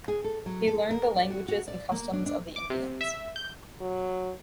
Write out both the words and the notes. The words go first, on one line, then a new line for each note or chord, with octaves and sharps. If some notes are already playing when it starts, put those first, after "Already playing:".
He learned the languages and customs of the Indians.
G#4
A4
F#3
A4
A#4
D5
F#4
F#4
D5
A#3
D4
D4
D6
C3
E5
G6
F#3